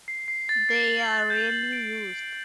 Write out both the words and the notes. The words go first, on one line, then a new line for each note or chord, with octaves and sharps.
They are rarely used.
C7
C7
A6
C7
F#7
A6
G6
F#7
D7
D7
D7